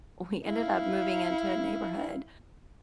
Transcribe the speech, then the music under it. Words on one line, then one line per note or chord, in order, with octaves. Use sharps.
uh, we ended up moving into a neighborhood,
E4 F5